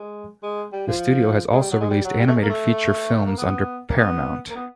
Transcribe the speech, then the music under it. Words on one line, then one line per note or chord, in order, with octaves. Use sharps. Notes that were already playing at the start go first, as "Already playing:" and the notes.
The studio has also released animated feature films under Paramount.
Already playing: G#3
G#3
G3
F3
G#3
G3
F#3
G#3
G3
F#3
G3
A3
G#3
A#3
A3
A3
A#3
B3
A#3
B3
A#3
B3